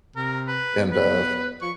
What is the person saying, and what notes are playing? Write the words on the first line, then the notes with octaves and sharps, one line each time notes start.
and, uh, f
C3 A#4
B4
B3
B4
F3 C#6